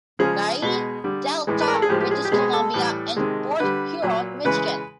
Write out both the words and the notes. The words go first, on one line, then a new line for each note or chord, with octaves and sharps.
Marie, Delta, British Columbia and Port Huron, Michigan.
C#3 F3 G#3 G#4
B2 G#3
D3 G3
A2 E3 G#3
B4
A#4
A4
G#4
A2 F3 G#3 G4
G4
G#4
G4
B2 G#3 G#4
A4
A2 E3 G3
C3 D#3 G#3
D3 G3 B4
A#2 F#3
C#3 E3 G#3 B4